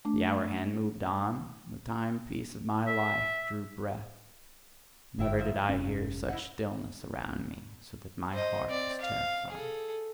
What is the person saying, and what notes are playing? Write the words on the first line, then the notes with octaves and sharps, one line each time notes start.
The hour-hand moved on, the timepiece of my life drew breath--never did I hear such stillness around me, so that my heart was terrified.
A3 D4
E5
G1 F#3 E4 G5
G#2 F3 E5
F1 C#4
E4 D#5 F#5
C5 D#5
C4 D5
F5
G#4 A4